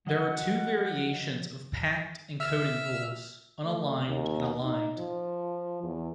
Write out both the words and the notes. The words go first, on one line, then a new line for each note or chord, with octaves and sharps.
There are two variations of packed encoding rules: unaligned and aligned.
F3 F#3 D#5 F#5
E5 E6 F6
A3
D#2
D#4
F3
E2